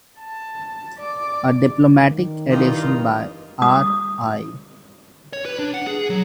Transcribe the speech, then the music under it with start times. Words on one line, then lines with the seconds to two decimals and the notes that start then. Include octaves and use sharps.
A diplomatic edition by R. I.
0.19 A5
0.98 D5 D6
1.99 D#3
2.50 G2 E3 D#4 F4 G4
3.62 D#6
5.33 C#5
5.46 B4
5.59 D4
5.74 F#5
5.87 G#4
6.10 F#3